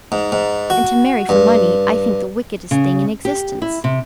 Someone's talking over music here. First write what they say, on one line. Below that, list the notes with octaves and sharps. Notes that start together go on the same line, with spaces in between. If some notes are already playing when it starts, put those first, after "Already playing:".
And to marry for money I think the wickedest thing in existence.
G#2
G#2
F#4
G2
C#3
G4
E4
C3